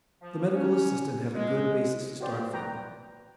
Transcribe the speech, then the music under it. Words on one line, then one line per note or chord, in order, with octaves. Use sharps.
The medical assistant had a good basis to start from.
F3
C#4
G#3
F#4 G4 C5 D5
B4 G5 A#5